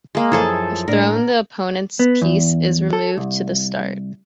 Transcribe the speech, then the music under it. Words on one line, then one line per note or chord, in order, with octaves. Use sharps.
If thrown, the opponent's piece is removed to the start.
G#3 A#3
F#2 F3 E4 G#4 A4 A5
A2 D4 A#4
B3
E2
A4
C2